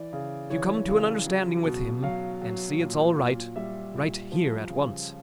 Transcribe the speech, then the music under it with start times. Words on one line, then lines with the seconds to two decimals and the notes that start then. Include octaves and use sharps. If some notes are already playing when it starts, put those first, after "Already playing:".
If you come to an understanding with him, and see it's all right, write here at once.
Already playing: E3 D5
0.13 C#3
0.50 E3 C#5
0.88 C#3
1.26 F#3
1.65 B2
2.03 F#3 F5
2.42 F#3
2.79 A#2
3.18 A#2
3.56 G3 E5
3.94 A#2
4.32 F3
4.70 C#3